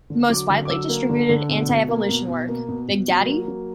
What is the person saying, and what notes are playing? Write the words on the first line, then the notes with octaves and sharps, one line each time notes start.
The most widely distributed antievolution work, Big Daddy?
D3
F#3 D6
D3
D6
F#3 E6
A#3
D3
D3
B2
B2
A#3
B2
B2
A#3
B2
B2
F#3
A#3
F#3